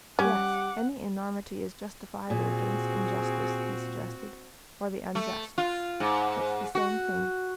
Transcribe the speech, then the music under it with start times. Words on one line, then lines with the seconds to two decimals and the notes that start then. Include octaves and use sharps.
"Yes, any enormity is justifiable against injustice," he suggested, "or the unjust; it's the same thing."
0.19 G3 C#4 G4 F#5 D6
2.30 A#2 C4 F#4 G#4
5.15 A3
5.58 F4
6.00 G#2
6.75 F#4